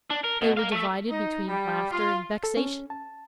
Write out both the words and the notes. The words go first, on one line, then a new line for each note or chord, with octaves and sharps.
They were divided between laughter and vexation.
D4
A#4
B2
A#4 F5
A3 E5
D#4
G3
F4
A4
C#4
A5